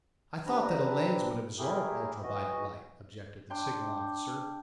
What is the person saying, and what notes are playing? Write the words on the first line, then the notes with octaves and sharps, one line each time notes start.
"I thought that a lens would absorb ultra-violet light," objected the signal officer.
C3 C4 D4 B4 A#5
A3 E4 G4 G#4 A#4
E3 F#4 D#5
D4 G5 C6